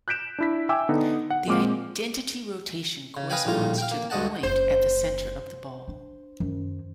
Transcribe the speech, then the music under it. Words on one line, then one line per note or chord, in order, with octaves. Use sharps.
The identity rotation corresponds to the point at the center of the ball.
F#6 G6 B6 D7 E7
D4 E4 B6
E5 G5 G#5 D6 E6
D3 B3 D#4
F#5
A#2 G#3 C4 D6 F6
C#3
B4 D#5 F5 G5 G#5 B5
A#1 A2 G3 F4 A#5
F5 G5
A#3
D2 G2 G#3 D#5 F#5 A5
F#1 C5
D4
F#2 D#3